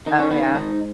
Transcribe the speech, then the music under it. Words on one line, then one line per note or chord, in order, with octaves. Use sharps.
Oh, yeah.
D#3 D#4
C#4
D#3 B3
C#4
G#2 D#4